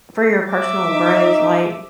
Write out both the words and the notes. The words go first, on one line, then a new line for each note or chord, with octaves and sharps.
for your personal growth, like
E5 D6
D#4